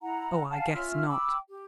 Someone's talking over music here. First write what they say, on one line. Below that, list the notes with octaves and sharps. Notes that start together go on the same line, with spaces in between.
Oh, I guess not.
E4 F#5 A#5
F5 F#5 G#5 A5
C#4 F4 E5 F6
G5 B5 D6 E6
G4